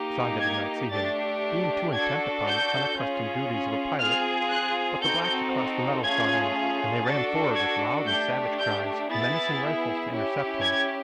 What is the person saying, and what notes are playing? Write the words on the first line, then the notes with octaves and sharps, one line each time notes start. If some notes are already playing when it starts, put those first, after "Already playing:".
Usanga did not see him, being too intent upon the unaccustomed duties of a pilot, but the blacks across the meadow saw him and they ran forward with loud and savage cries and menacing rifles to intercept him.
Already playing: A#3 D#4 G4
G#6
A3 D4 G4 A6
D4 F#4 A4 G#6
G6
C#4 F4 G#4
C4 F4 G#4 F6
F#6
C4 D#4 F#4 A4 G6
A3 C#4 F4 G#4 G#6
D4 F#4 A4 A6
G#6
A3 D4 G4 G6
G6
B3 E4 G#4 A6
C#4 E4 G4
G#6